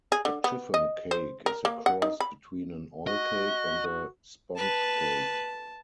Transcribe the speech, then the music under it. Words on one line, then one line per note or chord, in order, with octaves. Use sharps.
A chiffon cake is a cross between an oil cake and a sponge cake.
G#4
D3
B3
D#5
C5
A#4
A#3
F#5
D#4
B5
F#4 D#5
B4 A5